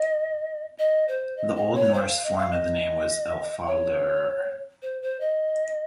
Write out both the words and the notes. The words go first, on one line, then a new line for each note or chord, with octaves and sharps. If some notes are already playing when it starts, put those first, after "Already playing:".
The Old Norse form of the name was "Elfardalr".
Already playing: D#5
D#5
C5
D#5
D#5
C#5
C5
F5
D#5
F5
D#5
C#5
C5
C5
D#5